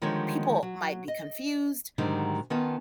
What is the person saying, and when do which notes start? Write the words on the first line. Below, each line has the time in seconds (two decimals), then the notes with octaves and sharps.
people might be confused
0.02 D3 D#3 F3 G3 G#3 C#5
0.63 F#3
1.08 D#5
1.98 G#2 D3 D#3 F#3 G3
2.50 D#3 B3 C#4 F4 A5